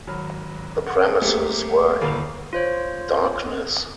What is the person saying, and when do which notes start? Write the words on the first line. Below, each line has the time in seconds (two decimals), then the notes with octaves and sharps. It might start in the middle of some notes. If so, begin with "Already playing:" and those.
The premises were in darkness.
0.07 G#1 F#3 B5 F6
0.87 F#5
1.22 G3 A3 A#3 C4 G4 G#4
2.01 G1 D#2 A#2 A#3 F5 B5
2.53 F4 C5 C#5